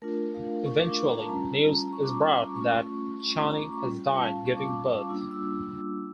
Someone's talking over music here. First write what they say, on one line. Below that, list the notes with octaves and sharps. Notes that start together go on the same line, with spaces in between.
Eventually, news is brought that Chani has died giving birth.
A3 D4 F4 A#4
F5
C#6
D6
D6
C#6
A#5
A5
G3 C#4 F4 A#5
A#5
C#6
D6
C#6
A#5
A3 C#4 F4 C#6
C#6
A#5
D6
C#6
C#6
G3 C#4 F4
A5
F5
A5
C#6
D6
D6
G3 A#3 D4 F4 E6
D6
E6
D6